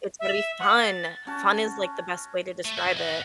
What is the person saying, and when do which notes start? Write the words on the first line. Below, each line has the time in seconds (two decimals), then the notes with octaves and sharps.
It's gonna be fun! Fun is, like, the best way to describe it.
0.20 E5
0.59 F#5
0.81 A6
1.27 C#4 F#4 A5
2.65 A3
2.78 E4 F#4
2.97 D#5 F#5